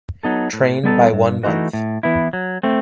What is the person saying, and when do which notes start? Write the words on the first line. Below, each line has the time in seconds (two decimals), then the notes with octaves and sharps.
Trained by one month.
0.23 F#3 B3 D#4 A4
0.53 A2
0.84 G3 B3 D#4 A4
1.13 G2
1.43 E3 A3 D#4 F#4
1.73 A2
2.03 E3 B3 E4
2.33 F#3
2.63 A3 C4